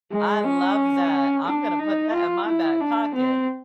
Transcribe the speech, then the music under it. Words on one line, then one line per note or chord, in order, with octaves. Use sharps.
I love that, I'm gonna put that in my back pocket.
G#3
C#4
D4
D#4
F4
E4
D4
C4